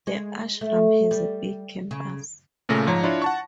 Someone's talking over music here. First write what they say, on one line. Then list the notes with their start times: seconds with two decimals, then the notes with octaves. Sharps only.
The ashram has a big campus.
0.07 G#3
0.61 A3
1.11 G3
1.91 C#3
2.69 A#2 C#3 A3 A#6
2.87 G#2 F3 C#5 A#5
3.03 D4 E4 F4 C#5
3.22 F#5 A5 C#6